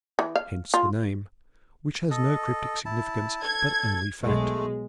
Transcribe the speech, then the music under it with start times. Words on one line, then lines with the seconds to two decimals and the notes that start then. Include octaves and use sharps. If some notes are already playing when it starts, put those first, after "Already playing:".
Hence the name, which has no cryptic significance, but only fact.
0.19 E3
0.36 F5
0.74 F4
2.11 A4 D#5
2.86 E4 A5
3.42 A4 G#6
4.22 B1 G#3 A3